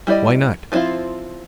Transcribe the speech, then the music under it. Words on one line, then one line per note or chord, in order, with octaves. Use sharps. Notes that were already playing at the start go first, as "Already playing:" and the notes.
Why not?
G3 E4 F#4 D5 D#5
F3 B3 C4 E4 F4